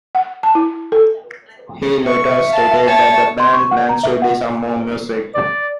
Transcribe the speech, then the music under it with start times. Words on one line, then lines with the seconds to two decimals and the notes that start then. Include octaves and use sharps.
He later stated that the band plans to release more music.
0.15 F#5
0.43 A5
0.55 E4
0.92 A4
2.05 E5 C#6
2.49 F5 A5
2.87 C#5 A5
3.40 C6
3.53 C#6
3.71 F#5
3.89 A#5
4.03 E5
4.22 F#5
5.35 D5